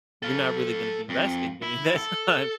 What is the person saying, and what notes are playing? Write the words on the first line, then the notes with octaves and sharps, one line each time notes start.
you're not really gonna be resting during that time,
A4 F5
F2
E4
A4